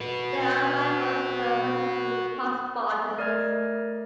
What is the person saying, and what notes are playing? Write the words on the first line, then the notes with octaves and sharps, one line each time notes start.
They are rivals with the Huntington Park Spartans.
F#4 B4
A3 A#4 D5 D#5 F6 G#6